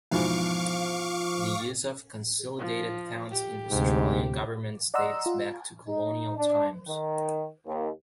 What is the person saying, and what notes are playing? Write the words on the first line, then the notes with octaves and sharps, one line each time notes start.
The use of consolidated funds in Australian government dates back to colonial times.
E2 G#2 B2 F3 F5 C#6 D6
F3
G4
D2 G#2 C3
D5 D#5 F#5 A#5 C6 E6
F4
D#4
D4
D#3
D#2